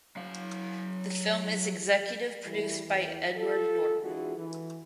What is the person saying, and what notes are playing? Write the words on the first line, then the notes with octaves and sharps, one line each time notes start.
The film is executive produced by Edward Norton.
F#3 F5
E3 G3 A3
E2 E3
F4 A4
E3 G#3 D4 F4 F#4 G#4
E3